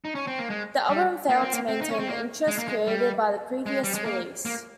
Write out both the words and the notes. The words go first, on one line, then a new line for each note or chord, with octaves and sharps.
The album failed to maintain the interest created by the previous release.
D#4
C#4
C4
A#3
G#3
G3
A#3
C4
A#3
C4
D#4
C#4
C4
A#3
G#3
A#3
G#3
G3
G#3
G3
G#3
A#3
A#3